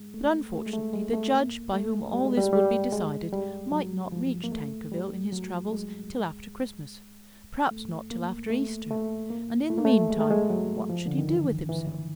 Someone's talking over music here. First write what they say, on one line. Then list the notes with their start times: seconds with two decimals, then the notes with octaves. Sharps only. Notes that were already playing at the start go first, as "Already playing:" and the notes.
But, unfortunately, the judge by whom all this would be decided might not reach Tankerville in his travels till after Christmas, perhaps not till after Easter; and in the meantime, what should he do with himself?
Already playing: G#3
0.14 A3
0.53 A3
0.67 G#3
0.73 A3
0.93 G#3
1.13 A3
1.33 A#3
1.73 A3
2.13 G3
2.25 G#3
2.37 G3
2.53 G3
2.93 G#3
3.32 G3
3.72 F#3
4.12 F3
4.44 A#3
4.52 A3
4.92 G3
5.32 F#3
5.72 G#3
7.71 A3
8.11 A#3
8.50 A3
8.91 A3
9.30 A#3
9.70 A3
9.78 A#3
9.85 A3
10.10 G#3
10.20 A3
10.31 G#3
10.50 F#3
10.90 F3
11.07 D3
11.18 D#3
11.29 E3
11.69 E3